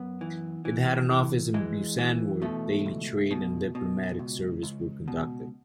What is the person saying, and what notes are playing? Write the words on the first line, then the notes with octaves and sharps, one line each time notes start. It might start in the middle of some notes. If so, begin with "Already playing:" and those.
It had an office in Busan where daily trade and diplomatic service were conducted.
Already playing: F#2 B3
E3
E3
E3
E3 G#3
E3
B2 A3
C#2
B2
B2
C#2
C#2
B2